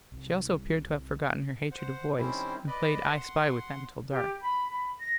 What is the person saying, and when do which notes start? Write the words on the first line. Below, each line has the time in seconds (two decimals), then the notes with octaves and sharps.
She also appeared to have forgotten her hatred of boys, and played "I spy" with them till dark.
0.12 C2
1.72 C5 F#5
2.18 D#3 G3 C4 C#4 E4 C5
2.67 B4 D5 D#5 B5
3.06 F#5 C6
4.11 G4
4.42 B5
4.70 B5
5.00 A#6